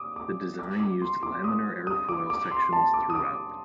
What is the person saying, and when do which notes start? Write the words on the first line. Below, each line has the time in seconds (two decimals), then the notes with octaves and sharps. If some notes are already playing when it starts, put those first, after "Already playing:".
The design used laminar airfoil sections throughout.
Already playing: D6 D#6
0.16 D6
0.59 D6
0.80 D6
1.02 C6
1.23 D6
1.44 D#6
1.87 D#6
2.09 D6
2.30 D6
2.51 C6
2.73 A5
2.94 D6
3.10 D#6
3.15 D6